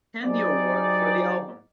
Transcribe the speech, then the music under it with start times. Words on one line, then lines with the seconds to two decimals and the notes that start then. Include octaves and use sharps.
Handy Award for the album.
0.24 F#3 D#4 G4 G#4 C5 D5